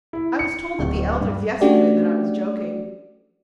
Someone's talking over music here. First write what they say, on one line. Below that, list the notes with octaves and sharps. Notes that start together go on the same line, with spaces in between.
I was told at the elder's yesterday that I was joking.
E4
C#7
D1
G2
A3 C#4 D4 F#4 G4 D5